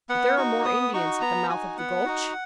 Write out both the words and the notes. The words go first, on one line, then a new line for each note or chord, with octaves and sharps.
"But there are more Indians at the mouth of the gulch?"
B3 F#5
D#4 F#4 C#6
B3 D#6
D#4 F#4 C#6
B3 A#5
D#4 F#4 G#5
B3 F#5
D#4 F#4